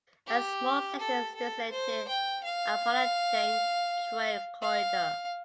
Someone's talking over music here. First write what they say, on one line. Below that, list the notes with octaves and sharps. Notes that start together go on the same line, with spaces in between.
A small section is designated "Appalachian Trail Corridor".
G4
A4
A4
C5
G5
F5
F5